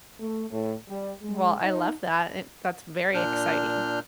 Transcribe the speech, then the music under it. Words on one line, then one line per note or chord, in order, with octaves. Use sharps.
Well, I love that. It that's very exciting.
A3
A2
G3
G#3
D#4
A#2 D4 F6 G6